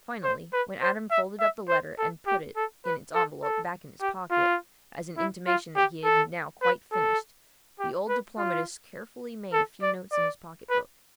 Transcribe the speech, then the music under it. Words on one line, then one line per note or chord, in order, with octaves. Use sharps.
Finally, when Adam folded up the letter and put it, in its envelope, back in his pocket, as an intimation that he had now quite finished, the old diplomatist carefully made a few notes in his pocket-book.
C5
B4
C5
E5
E5
C5
A4
G4
A4
B4
A4
A4
G4
F4
E4
F4
G4
A4
B4
A4
G4
B4
F4
A4
D5
D5
B4